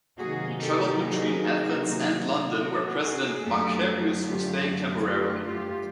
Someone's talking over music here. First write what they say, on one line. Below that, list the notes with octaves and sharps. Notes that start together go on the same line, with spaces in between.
He travelled between Athens and London where President Makarios was staying temporarily.
C3 D#3 F#3 A#3 D#4 F#4 G#4
G4 A4
F#4 G#4
F#4
F#4 G#4
F#2 D3 F#3 A3 G4 A4
F4 G4
F4 G4
F4 G4